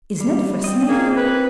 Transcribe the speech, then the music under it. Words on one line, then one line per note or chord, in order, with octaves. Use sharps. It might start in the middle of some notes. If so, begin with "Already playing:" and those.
Isn't it fascinating?
G3
C4 D#5
A#3 G#4
B4